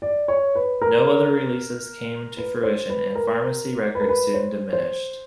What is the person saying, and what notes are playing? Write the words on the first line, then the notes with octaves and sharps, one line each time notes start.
No other releases came to fruition, and Fharmacy Records soon diminished.
D5
C#5
B4
A#4
B4
C5
B4
A#4
B4
A#4
B4
C5
C5